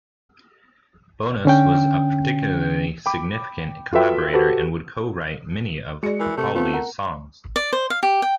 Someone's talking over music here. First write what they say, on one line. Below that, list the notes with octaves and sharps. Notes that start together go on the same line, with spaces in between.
Bonas was a particularly significant collaborator, and would co-write many of Capaldi's songs.
D3 C#4 G5
G5 B5 D6
F4 F#4 A4 B4 E5 G5
F#4 G4 A4 B4 C5
G#3 F#4 G#4 D5 C#7
E3 A#4
C3 A3 A4
A3 B3 C4 F4
A#4 F#5 A#5
D5
C5
F5
G4
G5